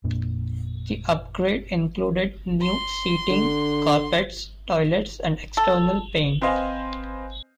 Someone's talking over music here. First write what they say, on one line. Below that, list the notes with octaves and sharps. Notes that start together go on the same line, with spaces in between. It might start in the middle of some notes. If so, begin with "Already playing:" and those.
The upgrade included new seating, carpets, toilets and external paint.
F2 A#2 A#3 D4
C6
D3
A4
C4 B4 C5 D#5 F5 G#5